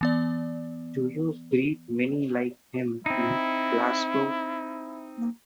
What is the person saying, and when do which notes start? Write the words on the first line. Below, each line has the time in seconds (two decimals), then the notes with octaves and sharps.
Do you breed many like him in Glasgow?
0.01 E3 B3 D5
3.06 C4 D#4 E4